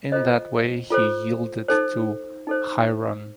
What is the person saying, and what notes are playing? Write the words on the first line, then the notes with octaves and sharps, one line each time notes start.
In that way he yielded to Hairun.
F4 A4 C5 D#5
F4 A4 C5
D#4 A4 C5
D#4 A4 C5